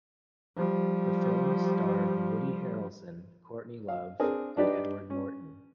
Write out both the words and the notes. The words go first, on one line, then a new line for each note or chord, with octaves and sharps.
The film starred Woody Harrelson, Courtney Love and Edward Norton.
F3 G3
F5
C4 D4 G#4 A#4
D4 D#4 G4 B4 D5
C#4